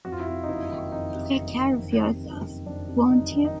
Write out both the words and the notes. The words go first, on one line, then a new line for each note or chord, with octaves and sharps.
Take care of yourself, won't you?
F2 F#4
F4
E4
C3 F4
D#4
F#1 E4
D#3
F2 D#4
C3
F#1
D#3
F2
C3
F#1
D#3
F2 D4
C3
F#1 D#4
D#3
D#4